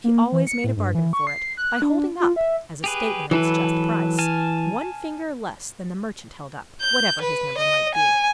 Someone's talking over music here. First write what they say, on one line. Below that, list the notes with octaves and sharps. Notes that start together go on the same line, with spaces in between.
She always made a bargain for it, by holding up, as a statement of its just price, one finger less than the merchant held up, whatever his number might be.
A#3
E3
C#7
A2
G2
E3
C#6
C7
F#6
D4
F4
E5
G4 G#4 B4
E3 F#3 A4 B4
G#5 A5 F6
G6
B4
D#5
G#5